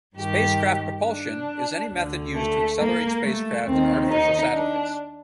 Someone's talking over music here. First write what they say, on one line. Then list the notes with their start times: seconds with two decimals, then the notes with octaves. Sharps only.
Spacecraft propulsion is any method used to accelerate spacecraft and artificial satellites.
0.17 G2 D#3 G4
1.04 D4
1.92 D2 D3
2.35 A3
2.78 A#3
3.22 A3
3.65 D#2 D#3 C4
4.09 D#4
4.53 D4